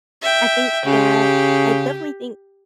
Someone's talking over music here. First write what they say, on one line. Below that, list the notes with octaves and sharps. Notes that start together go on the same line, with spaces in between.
I think that I definitely think
E5 G5
C#3 G4